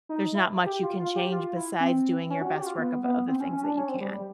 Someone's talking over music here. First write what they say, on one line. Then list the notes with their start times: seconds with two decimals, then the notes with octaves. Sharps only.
there's not much you can change besides doing your best work of of the things that you can,
0.09 D#4
0.34 E4
0.66 G4
0.83 F4
0.99 F4
1.16 G4
1.32 F4
1.56 E4
1.80 C4
2.30 C#4
2.41 F#4
2.54 G4
2.62 F#4
2.66 F4
2.78 B3
3.04 B3
3.28 C4
3.40 C#4
3.53 C#4
3.64 D4
3.77 C#4
3.89 C4
4.01 G3
4.13 G3